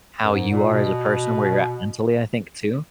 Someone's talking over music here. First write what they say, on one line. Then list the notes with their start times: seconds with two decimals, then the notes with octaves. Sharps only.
how you are as a person, where you're at mentally, I think, too.
0.23 F#2
0.33 G#2
0.51 A#2
0.71 B2